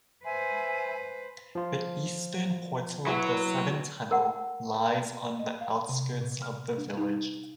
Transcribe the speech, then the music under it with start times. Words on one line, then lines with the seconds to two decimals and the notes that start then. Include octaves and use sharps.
The eastern portal of the Severn Tunnel lies on the outskirts of the village.
0.25 B4 C5 E5 G#5
1.55 F3 F4
3.07 F#3 E4 B4 E5
4.11 A#4 F#5
5.39 D#5
5.61 F5
5.89 C3
6.21 A#2
6.42 F6
6.78 D4
6.97 D#4